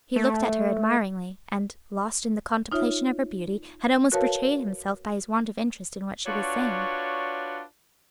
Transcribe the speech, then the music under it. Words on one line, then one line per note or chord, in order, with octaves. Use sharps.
He looked at her admiringly, and, lost in the contemplation of her beauty, had almost betrayed himself by his want of interest in what she was saying.
A3
D#4 F4 C#5 E5
F#4 A#4 B4 C#5 F5 A5
D4 F4 F#4 B4 C#5 D5